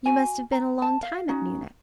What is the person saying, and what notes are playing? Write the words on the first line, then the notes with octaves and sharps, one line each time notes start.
You must have been a long time at Munich.'
F#4 G#5
A#5
A5
F5
C#4 D#4 F#4